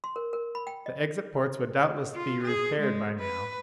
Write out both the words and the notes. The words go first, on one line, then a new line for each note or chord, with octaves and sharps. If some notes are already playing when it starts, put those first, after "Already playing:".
The exit ports would doubtless be repaired by now.
C6
A#4
A#4
B5
G5
D#5
F4
G#4
G#3
B4